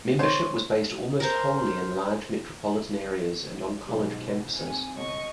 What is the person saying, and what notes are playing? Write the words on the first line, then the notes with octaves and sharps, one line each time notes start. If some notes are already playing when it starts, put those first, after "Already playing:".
Membership was based almost wholly in large metropolitan areas and on college campuses.
C5 C#5
A#4 C5
B1 G#2 B2 G4
C4 G#5
G1 C2 D#5 C#6